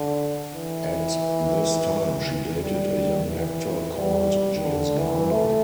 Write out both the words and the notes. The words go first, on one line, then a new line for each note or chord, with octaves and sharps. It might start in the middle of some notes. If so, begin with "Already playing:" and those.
At this time she dated a young actor called James Garner.
Already playing: D3
E3
G3
E3
G3
D3
E3
A3